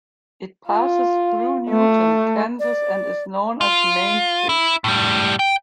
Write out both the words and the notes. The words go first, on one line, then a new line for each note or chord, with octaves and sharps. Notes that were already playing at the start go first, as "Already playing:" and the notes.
It passes through Newton, Kansas and is known as Main Street.
F4
A3
D5
F4
E4
A2 G3
G5